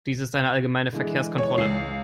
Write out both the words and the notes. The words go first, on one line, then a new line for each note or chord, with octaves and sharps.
Dies ist eine allgemeine Verkehrskontrolle.
D3 E3 G#3
C#5
C#2 C7